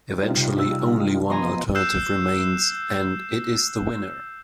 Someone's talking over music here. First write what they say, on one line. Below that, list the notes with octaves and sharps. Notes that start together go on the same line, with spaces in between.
Eventually only one alternative remains, and it is the winner.
G3 D#4 F4
C3
E6 B6
F3 B3 D#5 G#5 A#5 C6
E6 F#6 G6 C7 E7